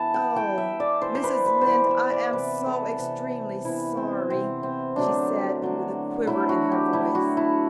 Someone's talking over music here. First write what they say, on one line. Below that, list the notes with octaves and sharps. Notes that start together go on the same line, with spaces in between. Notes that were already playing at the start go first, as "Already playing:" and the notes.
"Oh, Mrs. Lynde, I am so extremely sorry," she said with a quiver in her voice.
Already playing: E3 B3 A5
G5
E3 B3 G5
E5
D5
E3 B3 C5
C5
B4
B4
C5
E3 B3 D5
E5
D5
C3 E3 B3 B4
A4
C3 E3 B3
C3 E3 B3 E4
C4
C3 E3 B3 C4
C4
D3 F#3 A3 D4
D3 F#3 A3
D3 F#3 A3 E4
F#4
G4
D3 F#3 A3 E4
F#4
E4